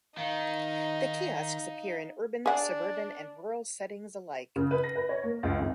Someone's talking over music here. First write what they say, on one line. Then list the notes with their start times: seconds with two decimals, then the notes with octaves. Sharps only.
The kiosks appear in urban, suburban and rural settings alike.
0.17 D#3 D#4 F5
2.46 D4 G#4 F#5
4.56 C#3
4.71 B4
4.84 A#6
4.95 B4
5.09 C#5
5.23 A#3
5.43 C#2
5.59 G#1